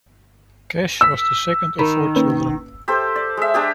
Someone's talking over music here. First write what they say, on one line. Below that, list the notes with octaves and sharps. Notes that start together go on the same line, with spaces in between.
Cash was the second of four children.
E6 B6
D#3 A#4 B5
A#3 C#4 B4
G4 A4 C5
D5
G#3 E5
D4 G4 G#4